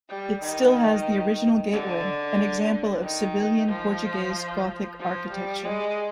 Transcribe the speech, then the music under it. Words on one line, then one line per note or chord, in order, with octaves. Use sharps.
It still has the original gateway, an example of Sevillian-Portuguese Gothic architecture.
G3
D#3
D3
D#3
F3
F3
G3
G#3